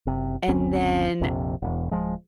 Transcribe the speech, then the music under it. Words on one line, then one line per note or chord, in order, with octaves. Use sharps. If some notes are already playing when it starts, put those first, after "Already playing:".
And then,
F#1 C3
F#1 D2 C4 C#4
A#1 F2 C3
E1 E2
D1 F3 G#3